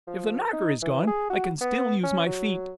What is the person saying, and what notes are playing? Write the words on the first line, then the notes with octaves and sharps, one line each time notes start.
"If the knocker is gone, I can still use my feet."
F3
D#4
E3
G#4
F#4
B3
C#4
F#3